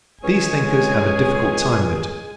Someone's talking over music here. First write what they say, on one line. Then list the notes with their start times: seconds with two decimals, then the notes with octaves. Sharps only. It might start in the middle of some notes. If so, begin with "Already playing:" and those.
These thinkers have a difficult time of it.
0.23 C#2 G#3 C#4 G#4 C#5 G#5